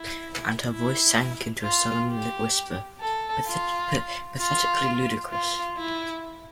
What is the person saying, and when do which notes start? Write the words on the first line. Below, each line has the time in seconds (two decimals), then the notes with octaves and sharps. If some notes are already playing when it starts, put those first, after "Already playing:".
And her voice sank into a solemn whisper, pathetically ludicrous.
Already playing: E4
0.70 E4
1.62 F4
2.09 G4
3.00 A4
3.46 F4
4.39 F4
5.31 F4
5.77 E4